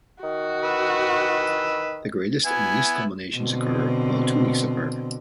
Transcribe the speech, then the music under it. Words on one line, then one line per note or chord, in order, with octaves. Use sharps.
The greatest and least culminations occur about two weeks apart.
D#3 F#4
B4 E6
B3 E4 G#5
B2 D3 C4